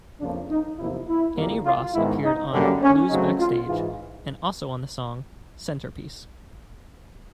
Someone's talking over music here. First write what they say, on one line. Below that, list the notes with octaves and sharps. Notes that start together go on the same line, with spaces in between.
Annie Ross appeared on "Blues Backstage" and also on the song, "Centerpiece".
F2 C#3 F3 A#3 D4
D#4
E2 C3 F3 A#3 E4
E4
F2 D3 G3 A#3
F4
G#2 D#3 G#3 B3 E4
D#4
F#2 D3 G3 A#3 C#4
C#4
C#3 F#3 A3 C4 D#4
F4
G#2 E3 G#3 F4